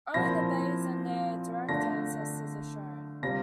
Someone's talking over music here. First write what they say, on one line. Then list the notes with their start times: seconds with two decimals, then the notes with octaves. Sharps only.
Only the Beys and their direct ancestors are shown.
0.14 A#2 F3 C4 E4 A#6
1.68 D3 A3 D4 F4 A#6
3.22 C3 G3 C4 F4 A#6